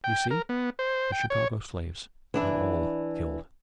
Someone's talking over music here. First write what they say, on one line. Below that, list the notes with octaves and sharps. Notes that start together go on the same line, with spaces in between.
"You see, the Chicago slaves are all killed."
G5
A#4
B3
C5
G5
C#5
E3 D4 E4